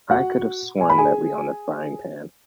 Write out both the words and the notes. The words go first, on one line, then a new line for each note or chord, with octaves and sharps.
I could have sworn that we own a frying pan.
F#4 F#5
G#5
B5
G#4 G#5